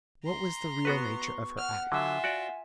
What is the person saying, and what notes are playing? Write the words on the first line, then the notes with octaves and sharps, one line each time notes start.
What was the real nature of her act?
A#5 C6
B3 F#4 B4 C#6
F#5 F6
D3 F#3 F4 E5 G#5
F#4 D5